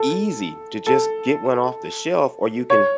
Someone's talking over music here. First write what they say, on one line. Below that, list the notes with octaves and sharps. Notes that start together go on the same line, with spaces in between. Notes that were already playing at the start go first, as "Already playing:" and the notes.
easy to just get one off the shelf or you can
Already playing: A4
A4
C#5